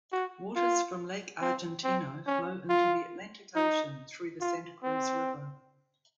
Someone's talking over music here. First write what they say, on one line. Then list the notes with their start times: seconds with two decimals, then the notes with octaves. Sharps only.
Waters from Lake Argentino flow into the Atlantic Ocean through the Santa Cruz River.
0.12 F#4
0.56 F4
1.41 C4
1.84 C4
2.27 C#4
2.69 F4
3.56 D#4
4.41 F4
4.83 C4